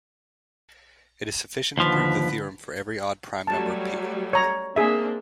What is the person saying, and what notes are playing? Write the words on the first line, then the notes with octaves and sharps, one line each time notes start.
It is sufficient to prove the theorem for every odd prime number "p".
D#2 D3 F3 B4
F#3 G3 A3 A5
C#5 A#5
A#3 C4 D4 G#4 E5